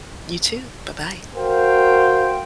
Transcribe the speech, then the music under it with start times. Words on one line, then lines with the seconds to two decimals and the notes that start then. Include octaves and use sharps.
You too. Bye-bye.
1.35 F#4 A#4 C5 F5 G5